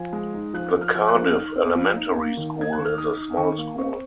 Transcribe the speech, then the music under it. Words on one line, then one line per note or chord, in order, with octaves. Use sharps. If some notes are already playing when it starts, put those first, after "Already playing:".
The Cardiff Elementary School is a small school.
Already playing: F3 G#5
G#3
D#4
F3 F#6
F3
F6
F3
F#6
F3
D#4 F6
C4
F3
D#4
A#3
D#3
A#3 G#6
D#3 F#6
F6
D#4 D#6
D#4
D#3 C#6
A#3
C4 C#6